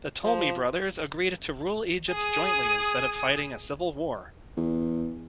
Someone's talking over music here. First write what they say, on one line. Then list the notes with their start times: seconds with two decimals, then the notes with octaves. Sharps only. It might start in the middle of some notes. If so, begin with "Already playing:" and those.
The Ptolemy brothers agreed to rule Egypt jointly instead of fighting a civil war.
0.24 F3
2.10 G#4 D#6
4.57 E2